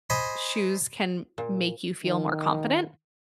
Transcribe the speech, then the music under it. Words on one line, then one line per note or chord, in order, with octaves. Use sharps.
shoes can make you feel more confident
C5 D#5 G#5 B5 C6
A#2
D#3